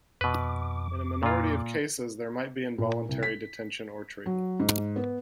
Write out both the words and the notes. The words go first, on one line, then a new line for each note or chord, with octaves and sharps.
In a minority of cases there might be involuntary detention or treatment.
F2 B2 B4 D6
A#2 F4
A#2
C2
B6
F#3
G#2
B3